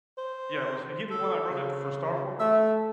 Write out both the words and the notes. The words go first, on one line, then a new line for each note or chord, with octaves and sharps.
Yeah, was h he the one that wrote it for Star Wars?
C5
A4
C#3
A3 E5